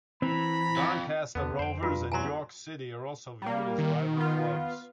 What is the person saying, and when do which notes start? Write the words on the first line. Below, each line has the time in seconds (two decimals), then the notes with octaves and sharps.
Doncaster Rovers and York City are also viewed as rival clubs.
0.22 E3 C4 A#5 B5
0.76 F2
1.35 E2 D3 B3
1.59 F2 C5 G5
1.83 G2 F4 F#4
2.12 E2 F#3 G#5 A#5 C6
3.42 G3 A#3
3.78 D#3
4.17 B3 F4